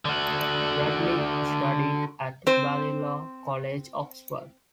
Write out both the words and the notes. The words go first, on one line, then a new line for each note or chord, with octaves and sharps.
Bradley studied at Balliol College, Oxford.
D3 F#4
C4 C5